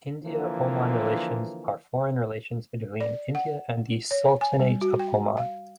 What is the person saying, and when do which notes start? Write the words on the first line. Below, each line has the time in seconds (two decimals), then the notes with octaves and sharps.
India-Oman relations are foreign relations between India and the Sultanate of Oman.
0.24 D3 E3 F3 A#3
3.00 D5
3.35 F#5
4.11 C#5
4.41 G#5
4.59 G3
4.81 F#4
4.99 G5
5.37 F5